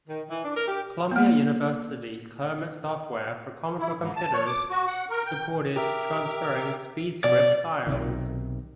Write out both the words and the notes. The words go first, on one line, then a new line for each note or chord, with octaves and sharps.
Columbia University's Kermit software for Commodore computers supported transferring SpeedScript files.
D#3
E3
D4
A#4
G4
A#3 B3
E4
G#2
A5
C#5
D6
F#4
F#5
A#4
G5
G4 A#4 E5
B2 D5
B1 C3 D#3